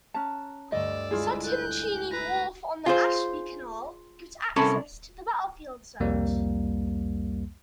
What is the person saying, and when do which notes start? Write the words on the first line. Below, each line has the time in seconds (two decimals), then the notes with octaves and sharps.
Sutton Cheney Wharf on the Ashby Canal gives access to the battlefield site.
0.14 C#4 A5 A#5 F#6
0.72 D2 G2 A3 D5 D#5 E6
1.11 G#3 D4 E4 F4 G#4
1.45 A4 F#5 F#6 G6
1.82 G#5
2.11 B4 A#5
2.86 F4 G#4 C5
4.56 C2 C#4 A4 A#4 A5 B5
6.00 C2 F2 G3 A#3